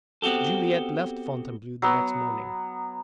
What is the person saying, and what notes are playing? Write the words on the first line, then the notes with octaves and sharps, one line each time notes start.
Juliette left Fontainebleau the next morning.
B3 C4 F#4 G4 A4
F#3 B3